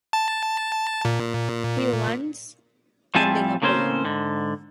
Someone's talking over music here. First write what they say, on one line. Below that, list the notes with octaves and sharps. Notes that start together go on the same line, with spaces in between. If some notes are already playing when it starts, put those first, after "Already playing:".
He runs, ending up alone.
A5
A#2
A2 F3 G3 C4 G#5 A5
A2 C#3 A#3 C4 C#4 C5
G#2 D3